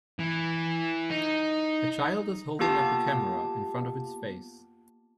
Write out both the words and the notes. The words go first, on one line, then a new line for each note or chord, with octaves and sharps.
A child is holding up a camera in front of its face.
E3
D#4
A#3 B3 F4 G4 A5